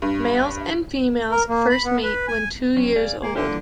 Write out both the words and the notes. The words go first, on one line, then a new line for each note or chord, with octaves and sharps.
Males and females first mate when two years old.
G2
A#4
A#3
B5
B3
B4
G#5
F#3 C4 C#4
G#4 D5 F5
A#3 G#4
D3 F4 G4 E5
G2 A#2 E3